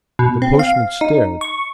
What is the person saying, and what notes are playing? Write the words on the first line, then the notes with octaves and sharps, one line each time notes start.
The postman stared.
B2
C4
F5
D#4
C#6